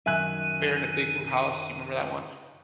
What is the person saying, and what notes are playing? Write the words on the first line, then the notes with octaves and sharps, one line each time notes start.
Bear in a Big Blue House, do you remember that one?
F#2 D#3 E5 G#5 F#6 D#7